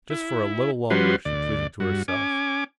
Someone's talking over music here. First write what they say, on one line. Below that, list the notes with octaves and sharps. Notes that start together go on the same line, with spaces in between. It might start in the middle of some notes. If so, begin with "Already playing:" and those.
Just for a little longer, she pleaded to herself.
E4
F3 G3 C#4 F#4 B4 C6
D2 D5
G2 F#4
C#4 G#5 D6